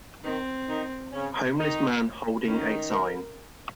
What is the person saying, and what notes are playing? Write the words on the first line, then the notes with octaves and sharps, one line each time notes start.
Homeless man holding a sign.
D#3 C4 D#4
D#3 D#4
C#3 C#4
D#3 D#4
D#3 C#4 D#4
A#4